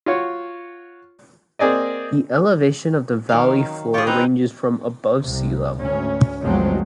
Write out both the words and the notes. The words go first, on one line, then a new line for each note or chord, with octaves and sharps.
The elevation of the valley floor ranges from above sea level.
F4 F#4 C#5
A#3 C4 G#4 D5 D#5
D#3 F#3 F5
F4 G4 G#4 C#6
C4 D#4 B4 A#5
C2 C3
D2 G#2 C#4
G1 D2 F3 F#3 G#3 C4